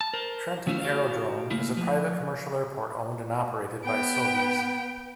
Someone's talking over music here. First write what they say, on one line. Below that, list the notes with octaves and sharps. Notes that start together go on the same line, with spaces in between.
Trenton Aerodrome is a private commercial airport owned and operated by Sobeys.
A5
A#4 C5
D#3 A3 C#4 E4 C5 F5
F#4 G4 F5
C#3 A3 A#3 E4
F3
B3 G5